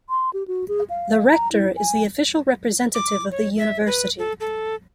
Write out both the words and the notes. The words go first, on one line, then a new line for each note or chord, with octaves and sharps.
The Rector is the official representative of the University.
C6
G4
F#4
G#4
F5
A#5
E4
G#5
D6
C#5
E5
B4
A4
A4